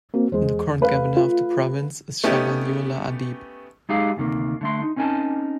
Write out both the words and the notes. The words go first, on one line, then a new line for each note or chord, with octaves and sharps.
The current Governor of the province is Shah Waliullah Adeeb.
A#3 C4 F#4
E2 G#3 C5
A3 B4 F5
F4
A3 B3 C#4 D#4 G4
G#3 D#4 G4 G#4 F5
D2 C3 D#3 G3 A#3
D3 A3 C6
D#4
C4 C#4 D#4 A#4 G#5 A5